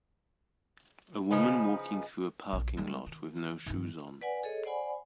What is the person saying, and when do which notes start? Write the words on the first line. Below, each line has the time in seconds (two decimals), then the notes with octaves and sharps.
A woman walking through a parking lot with no shoes on.
1.31 C#3 F3 D#4 B4
2.53 A#1 D3
2.77 G3 G#3
3.06 D#3
3.66 G2 D#3
4.21 B4 D5 F#5 G#5
4.43 G#4 A4 C#5 D#5
4.65 C5 D5 F#5 G#5 B5